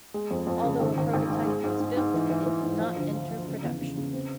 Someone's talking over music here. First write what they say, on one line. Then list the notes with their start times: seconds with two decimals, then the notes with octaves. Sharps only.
Although a prototype was built, it did not enter production.
0.14 G#3
0.31 F2
0.47 F2
0.64 C#3
0.80 G#1
0.98 G#1
1.13 G#1
1.30 G#2
1.46 G#3
1.64 G#2
1.80 G#2
1.97 G#2
2.14 E3
2.30 E3
2.46 E3
2.63 G#2
2.80 F3
2.96 D2
3.14 F3
3.31 F3
3.47 C#3
3.64 E2
3.80 C#3
3.97 C#3
4.13 C4